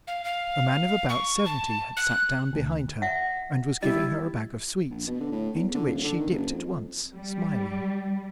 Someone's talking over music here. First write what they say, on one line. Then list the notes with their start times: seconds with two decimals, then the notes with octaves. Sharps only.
A man of about seventy had sat down behind her, and was giving her a bag of sweets, into which she dipped at once, smiling.
0.07 F5
0.24 F5
1.09 C#6
1.45 A5
1.97 F#6
2.53 D2
3.02 E5 F#5
3.82 G3 E4 D#5
4.91 A#1
5.07 B2
5.20 D3
5.32 A2
5.55 E2
5.74 D3
5.87 D#1
6.04 D3
6.20 D#3
6.31 F#1
6.49 F2
6.65 F2
7.14 G3